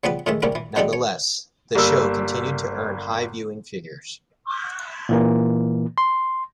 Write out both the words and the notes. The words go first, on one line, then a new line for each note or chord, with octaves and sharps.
Nonetheless, the show continued to earn high viewing figures.
C#3 F3 G3 B3 B4
A2 D#3 G#3 C#4 E5
C3 G3 A#3 C#4 E4 A#4
E3
B2 D3 G3 G#3 D4 D#4
C#5
G1 G3 A#3 E6
A#2 E3 A#3
C6